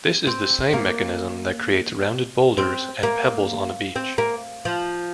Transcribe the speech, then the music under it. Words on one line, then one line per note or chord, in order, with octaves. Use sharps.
This is the same mechanism that creates rounded boulders and pebbles on a beach.
C4
A#3
C4
A#3
C4
A#3
F3